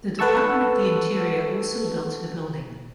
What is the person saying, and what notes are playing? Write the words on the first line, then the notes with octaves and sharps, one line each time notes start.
The Department of the Interior also built the building.
A4 B4 F#5 A5 C#6 E6